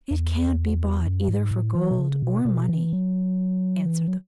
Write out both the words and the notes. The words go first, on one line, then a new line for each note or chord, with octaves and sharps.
"It can't be bought either for gold or money," answered the girl.
E2
F#2
G#2
A2
E3
B2
C#3
B2
B2
E3
F#3
E3
F#3